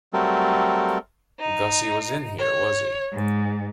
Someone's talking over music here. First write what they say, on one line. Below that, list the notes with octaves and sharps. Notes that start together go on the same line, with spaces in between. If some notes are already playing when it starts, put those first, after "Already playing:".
Gussie was in here, was he?
F#3 G3 A3 C4 A4 A#4
D#4
C#5
G#2